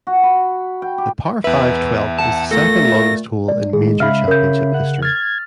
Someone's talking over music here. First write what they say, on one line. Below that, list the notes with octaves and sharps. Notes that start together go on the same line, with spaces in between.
The par five twelfth is the second longest hole in major championship history.
F#4
B5
G5
G4
E2 B4 E5
F#5 A5
A#2 A3 A4 A#6
G#3 D5
A2 D#3 G#3 G#4
C#3 E5 F5 B5 F6
C#3 C#4 A#4 G6
F#5
F6 G#6 A6